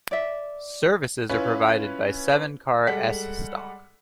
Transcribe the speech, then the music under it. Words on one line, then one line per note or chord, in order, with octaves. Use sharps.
Services are provided by seven-car S Stock.
D5 E5
C#4 E4 F4 B4
G3 G#3 A4 F#5 B6